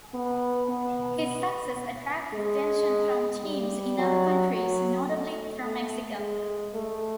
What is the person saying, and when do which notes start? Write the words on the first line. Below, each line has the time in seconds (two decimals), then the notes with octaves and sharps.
His success attracted attention from teams in other countries, notably from Mexico.
0.14 B3
0.69 B3
1.24 B3
2.34 G#3
3.45 G3
3.98 F#3
4.54 F#3
5.09 A3
5.64 A3
6.19 G#3
6.74 A3